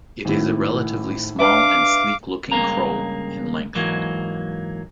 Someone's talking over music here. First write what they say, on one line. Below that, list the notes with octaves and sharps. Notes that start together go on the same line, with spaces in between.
It is a relatively small and sleek looking crow, in length.
G#1 A2
D4 B4 E5 F5 D6
C#2 G2 C#3 A#3 A#5
G#2 E3 F#3 A#3